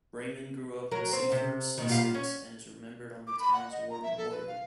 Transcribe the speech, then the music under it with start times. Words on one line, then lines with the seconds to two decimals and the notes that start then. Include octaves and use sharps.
Raymond grew up in Seaford, Sussex, and is remembered on the town's war memorial.
0.91 F#3 A#4
1.12 C4
1.32 C3
1.78 A#2 D#3
1.89 A#2 G3 F5
2.14 C#4
3.27 D6
3.39 B5
3.53 F#5
3.72 D#5
3.90 A#5
4.03 E5
4.18 A4
4.31 B4
4.47 F5